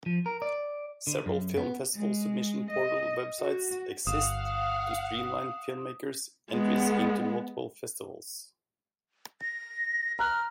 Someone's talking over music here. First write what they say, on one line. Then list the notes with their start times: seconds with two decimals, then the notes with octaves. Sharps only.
Several film festival submission portal websites exist to streamline filmmakers' entries into multiple festivals.
0.06 F3
0.26 A#4
0.42 D5
1.07 D3
1.26 F#2
1.57 B3
1.96 G#3
2.70 D#5
3.41 F#4
4.07 G1 F5 F#5 D#6 E7
6.51 G#3 B3
9.41 A#6
10.19 A#5 F6 F#6